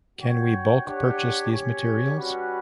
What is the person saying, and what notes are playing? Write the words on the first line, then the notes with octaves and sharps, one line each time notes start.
Can we bulk purchase these materials?
F#4 C#5 G5
D4 G4 C#5 F#5
C#4 G4 C#5
G3 C#4 F#4 B4